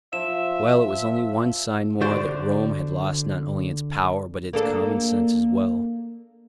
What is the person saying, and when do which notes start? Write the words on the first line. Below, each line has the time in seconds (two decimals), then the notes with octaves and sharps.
Well, it was only one sign more that Rome had lost not only its power, but its common sense as well.
0.13 F3 E5 E7
2.01 D3 F#4 C5 D5 C6
4.53 A#3 D4 A4